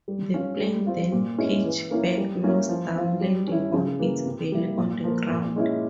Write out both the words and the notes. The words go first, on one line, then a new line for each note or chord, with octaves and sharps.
The plane then pitched back nose-down landing on its belly on the ground.
G3
C#4 F4
G3
C4 F4
A#2
G#3 C#4 E4
E3
A#3 C#4 E4
G3
A#3 C#4 E4
F3
C4 F4
G3
C#4 E4
C#3
E3 A#3
C3
G3 A#3 E4
A#2
F3 A#3
A#2
G#3 C#4 E4